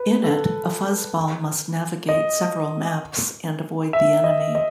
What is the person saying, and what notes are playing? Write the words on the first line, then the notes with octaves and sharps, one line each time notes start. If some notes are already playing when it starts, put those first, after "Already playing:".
In it, a fuzzball must navigate several maps and avoid the enemy.
Already playing: B4
A4
D#5
E5
D#5
D#5